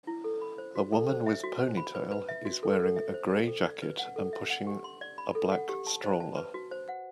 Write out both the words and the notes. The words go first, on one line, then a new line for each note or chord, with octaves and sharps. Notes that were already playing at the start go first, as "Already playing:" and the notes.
A woman with ponytail is wearing a gray jacket and pushing a black stroller.
E4
A4
B5
C5
F#4
A4
C5
E5
F#4
C5
B5
B4
B4
E5
F#4
A4
A4
E5
C5
G5
A4
D5
B4
F#5
A4
E5
F#5
G4
C6
D5
B5
A4
F#5
G4
A5
C5
A5
B4
F#4
C5
F#5